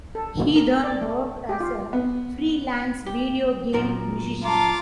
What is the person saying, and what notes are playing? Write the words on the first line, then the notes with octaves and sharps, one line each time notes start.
He then worked as a freelance video game musician.
A4
A#4
D5
A3
G4
F4
B3
G4
F#2 A#2 A#4
F4 A5 A#5 D6